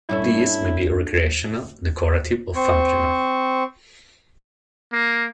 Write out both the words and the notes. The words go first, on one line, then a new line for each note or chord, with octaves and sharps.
These may be recreational, decorative, or functional.
G2 C#4 E4 A4
C4 C5 C#6
A#3